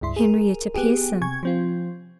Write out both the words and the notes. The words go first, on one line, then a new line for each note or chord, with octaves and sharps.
"Henrietta Pierson."
C#2 G2 E4 C6
G#4 A#4
B3 G4 G#4
C3 G#5 C#6 G#6
F3 C4 F4